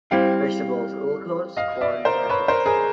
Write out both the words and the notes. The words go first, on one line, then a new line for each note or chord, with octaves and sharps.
Vegetables: Ullucos, corn wrappes.
G3 C4 E4 F5 G5
D#5 F5
D5 E5
A#4 C5
B4 C#5
A#4 C5
G#4 A#4